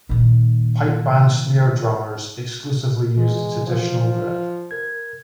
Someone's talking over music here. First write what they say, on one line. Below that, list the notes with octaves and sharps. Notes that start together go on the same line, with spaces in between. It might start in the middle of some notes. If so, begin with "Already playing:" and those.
Pipe Band snare drummers exclusively use the traditional grip.
A#2 D#3
E3 G#3
F3
A#4 G#6